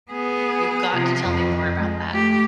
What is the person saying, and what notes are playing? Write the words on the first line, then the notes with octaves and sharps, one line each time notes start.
You've got to tell me more about that.
B3 G#4
C3 F3
F2
G#3
A3 G4